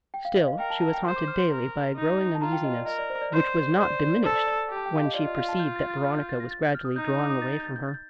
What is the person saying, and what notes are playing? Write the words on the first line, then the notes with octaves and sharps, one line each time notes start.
Still she was haunted daily by a growing uneasiness, which was not diminished when she perceived that Veronica was gradually drawing away from her.
G5
F5
D#5
F5
A#4 G5
A5
A5
G5
C5 C6
D6
F6
C6
A#4
D#4
A5
F4 A#5
G5
D#5
D5
A#4 D#5
D5
C5
D5
C5
C5 D5
D5
D5
D5
A4 C5
D5
D5
G4
A5
G5
F5
D#5
F4 D5
D#5
F5
A5
G6
A6
A6
F6
G6
A6
A#6
A6
G6
F6
D#6
D#4 G6
D#6
D6
D#6
A6
A6
G6
A6
G6
A6
G6